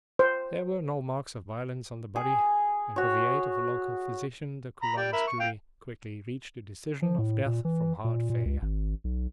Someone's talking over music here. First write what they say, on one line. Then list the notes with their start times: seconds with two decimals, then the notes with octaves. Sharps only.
There were no marks of violence on the body, and with the aid of a local physician the coroner's jury quickly reached a decision of death from heart failure.
0.19 C5
2.16 G#4
2.96 F#4 C#5
4.83 A#5 B5
4.97 G4 D5
5.13 A#4 E5 B5
5.28 C#6
5.40 F5 G5
7.02 F3
7.18 A2
7.46 A#2
7.65 E3
8.04 A#2
8.30 A#2
8.46 C#2
8.62 G#1
9.04 B1